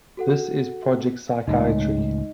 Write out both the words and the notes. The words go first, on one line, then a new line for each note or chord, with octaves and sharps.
This is Project Psychiatry.
F#4 A4 F#5
C#2 A2 G#3 D#4 D#5